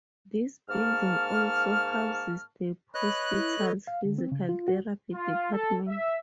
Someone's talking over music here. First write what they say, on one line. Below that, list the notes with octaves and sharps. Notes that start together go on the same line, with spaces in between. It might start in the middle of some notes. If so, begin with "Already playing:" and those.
This building also houses the hospital's physical therapy department.
G#2 A#3 A5 C#6 F6
B4 C#5 D#5 B5 F#6
E4
A4
F5
D3
C4
C#3
F4
F#4
F4
A4
E5